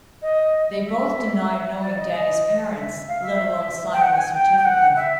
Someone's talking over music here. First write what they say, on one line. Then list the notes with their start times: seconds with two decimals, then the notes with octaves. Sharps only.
They both denied knowing Danny's parents, let alone signing the certificate.
0.21 D#5
0.85 E5
1.80 D5
1.96 D#5
2.11 D#5
2.75 E5
3.07 F5
3.22 E5
3.93 G5
4.01 F#5
4.12 G5
4.17 G#5
4.33 G5
4.58 G5
4.65 F#5
4.96 E5